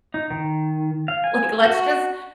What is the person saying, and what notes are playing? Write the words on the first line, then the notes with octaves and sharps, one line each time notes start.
like, let's just
D#4
D#3
F5
G#5
F#4